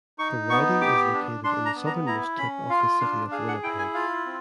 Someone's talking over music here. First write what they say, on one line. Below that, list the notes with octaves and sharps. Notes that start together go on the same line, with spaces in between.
The riding is located in the southernmost tip of the City of Winnipeg.
D#4 C#6
B3 C#6
G4 D6
D4
D4 C6
A#5
B3
A#5
E4 A#5
C#4 B5
F4 F5
D4 F5
G#4 F5
F#5
E4 G5
G#5
F4 F5
C4